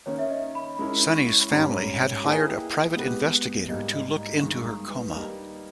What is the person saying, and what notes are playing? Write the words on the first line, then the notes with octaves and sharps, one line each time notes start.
Sunny's family had hired a private investigator to look into her coma.
D#3 A#3 C#4 C#5
E5
D#5
B5
G#3 C#4 E4 A#4 C#5 B5
C#6
B5
G#2 G3 A#3 C#4 A#5
A#3 E4 G#4 B4 D#5 G#5
G5
G#3 B3 G4 B4
G#2 G3 A#3 D#4 D#5
D#5
A#5
G2 D#3 G#3 C#6
A#5
B4
G3 A#3 D#4 A#4